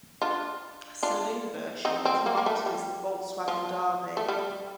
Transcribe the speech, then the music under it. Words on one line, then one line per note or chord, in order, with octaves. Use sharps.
A saloon version was marketed as the Volkswagen Derby.
D4 F4
D4 F4
C4 D#4
C4
A#3
A#3
A3
G3
F3
A3
G3